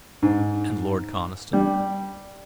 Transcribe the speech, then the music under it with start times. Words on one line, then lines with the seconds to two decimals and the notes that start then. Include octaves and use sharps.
"And Lord Conniston?"
0.22 G#2
1.53 G3